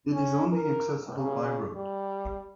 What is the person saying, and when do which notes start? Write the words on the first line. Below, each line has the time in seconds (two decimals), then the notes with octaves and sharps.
It is only accessible by road.
0.12 C#4
0.52 A#4
1.16 C#3
1.75 G3